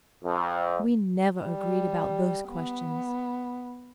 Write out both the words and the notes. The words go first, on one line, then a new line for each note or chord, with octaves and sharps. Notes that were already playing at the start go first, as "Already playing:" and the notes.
We never agreed about those questions.
F2
G3
B3